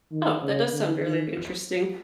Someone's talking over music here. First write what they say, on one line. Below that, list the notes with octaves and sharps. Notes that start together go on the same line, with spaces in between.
Oh, that does sound really interesting,
D#3
C#3
D3
D#3